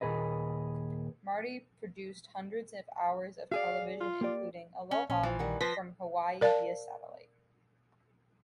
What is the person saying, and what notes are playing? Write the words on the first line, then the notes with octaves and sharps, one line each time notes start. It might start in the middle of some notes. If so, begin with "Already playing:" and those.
Marty produced hundreds of hours of television including Aloha from Hawaii Via Satellite.
D#2 A#2 G#4 B4 D#5
F#4 G#4 D5 F5
F4
A#3 G4 D5
C#4
A#1 C#4
E3 F3
D#3 G3 F#5
F3 B4 C6 A#6 B6
A#4 D5 F5 A5